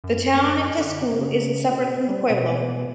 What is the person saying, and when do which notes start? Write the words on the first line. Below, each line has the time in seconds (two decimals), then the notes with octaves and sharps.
The town of Tesuque is separate from the pueblo.
0.04 F#2
0.77 D3
1.12 C#3
1.71 B2
2.08 G3
2.30 B2